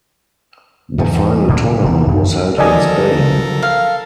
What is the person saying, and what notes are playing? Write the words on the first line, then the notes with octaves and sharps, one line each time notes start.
The final tournament was held in Spain.
E2 G#2 C3
A2 D3 A#3 D4
D#1 C3 B3 D4
F#2 D#3 F3
D3 F3 F#3 A4 A#4 D5 D#5 G#5
F5